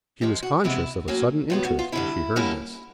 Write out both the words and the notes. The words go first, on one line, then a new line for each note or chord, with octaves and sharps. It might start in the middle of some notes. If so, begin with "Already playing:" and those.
She was conscious of a sudden interest as she heard this.
G#2 F3 G#3 G4
F#4
F2 C3 E3 G#3 B3 E4
A2 F#3 A#3 C#4
A2 F#3 B3 F4
F#4
F4
F2 D3 G3 E4
D3 G3 A#3 C#4 E4